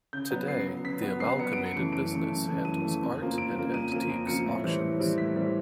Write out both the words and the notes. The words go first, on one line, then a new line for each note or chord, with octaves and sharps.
Today, the amalgamated business handles art and antiques auctions.
C#3 G6
F#3 B3
C#3 C7
F#3 B3
C#3 B6
F#3 B3
C#3 C7
F#3 B3 C#7
F#2 D7
C#7
C#3 E3 A3
F#2 D7
C#3 E3 A3
F#2
C#3 E3 A3
F#2 D#7
C#3 E3 A3
F2
C#3 F3 A#3
F2 D7
C#3 F3 A#3
F2 D#7
C#3 F3 A#3 D#7
F2 D7
C#3 F3 A#3 C#7
A2
E3 G3 C4
A2
E3 G3 C4
A2 B6
E3 G3 C4